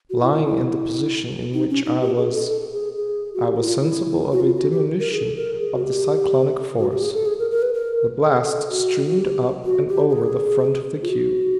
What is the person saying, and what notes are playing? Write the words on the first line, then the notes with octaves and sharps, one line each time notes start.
Lying in the position in which I was, I was sensible of a diminution of the cyclonic force; the blast streamed up and over the front of the cube.
F#4
E4
E4
E4
D#4
C#4
D#4
G4
G#4
A4
A4
G#4
G#4
F#4
G4
F#4
E4
F4
E4
F#4
F4
F#4
G4
A#4
G#4
A4
A#4
G#4
F#4
G4
F#4
G4
G#4
A4
G#4
A#4
A#4
B4
A#4
A4
G#4
A4
F#4
F#4
G4
F#4
G4
G4
G#4
F4
F#4